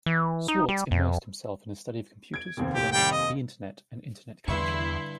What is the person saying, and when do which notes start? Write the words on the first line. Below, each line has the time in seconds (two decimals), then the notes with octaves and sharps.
Swartz immersed himself in the study of computers, programming, the Internet, and Internet culture.
0.06 E3
0.48 D#4
0.68 G3
0.91 F2
2.34 G#6 D7
2.57 F1 D#2 C4
2.74 G4
2.92 G3 G5
3.12 D#5
4.48 E2 G2 D3 E4 E5 C6 C#6